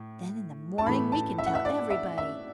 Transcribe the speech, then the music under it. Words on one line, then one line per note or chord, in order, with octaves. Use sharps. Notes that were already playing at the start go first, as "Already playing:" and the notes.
"Then in the morning we can tell everybody."
Already playing: A2
A5
A2 E3 A3 B5
A5
E5
F#5
E5
D5
E5
E5